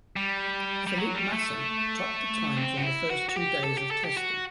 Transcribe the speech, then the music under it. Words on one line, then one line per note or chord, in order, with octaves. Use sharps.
Felipe Massa topped the times on the first two days of testing.
G3
G3
F#3
G3
A3
C4
F#4
E4
F#4
F#4
G4
A4
G4
A4
G4
F#4